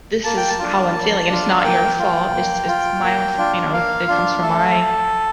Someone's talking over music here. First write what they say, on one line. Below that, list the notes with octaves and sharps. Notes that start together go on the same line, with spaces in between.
"This is how I'm feeling and it's not your fault, it's it's my own f you know, it comes from my
A#3 A5
G5
A5
D4 F4
A#3
D4 F4
F5
A#3 G5
F4
A#3
F4
A#3
D4 F4
A#3 F5
D4 F4
A3 A4